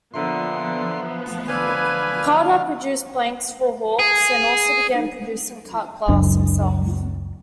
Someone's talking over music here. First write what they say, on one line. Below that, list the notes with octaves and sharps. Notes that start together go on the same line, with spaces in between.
Carder produced blanks for Hawkes and also began producing cut glass himself.
A#2 D3 F3 B3 E5 A#5 C6 E6
D3 B4 F5 G#5 B5 D6 E6
G#4
F#1 C#2 F#2 D4